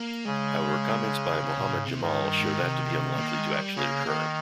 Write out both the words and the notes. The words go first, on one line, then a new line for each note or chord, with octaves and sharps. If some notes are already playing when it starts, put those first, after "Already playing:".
However comments by Mohammed Jamal show that to be unlikely to actually occur.
Already playing: A#3
C#3 G#3
C3
A#2
G#2
C3
G#2 D#3
G2
G#2
C3
A#3
G#3
G3
C#3 A#3
D#3